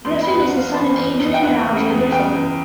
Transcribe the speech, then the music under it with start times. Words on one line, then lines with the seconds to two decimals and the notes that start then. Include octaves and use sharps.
Griffin is the son of Adrian and Audrey Griffin.
0.05 E2 C6
0.22 B5
0.28 E2
0.40 F#5
0.51 E2
0.56 F5
0.74 E2 C5
0.97 E2
1.20 E2
1.34 G5
1.43 E2 F#5
1.66 C#3
1.90 E2
2.12 C#3 G5
2.35 E2